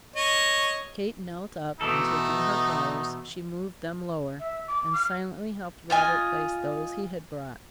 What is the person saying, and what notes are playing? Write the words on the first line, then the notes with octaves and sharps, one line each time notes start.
Kate knelt up and taking her flowers, she moved them lower, and silently helped Robert place those he had brought.
C#5 D#5
B2 E3 A3 B3 D#4 A4
E5
D6
F6
F4 D#5 G#5